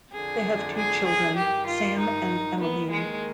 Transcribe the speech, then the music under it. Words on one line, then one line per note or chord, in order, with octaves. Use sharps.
They have two children, Sam and Emelyn.
F2 D3 G#4
G#4
G#4
G2 D#3 G4
F4
D#4
D#2 D#3 B3
G#3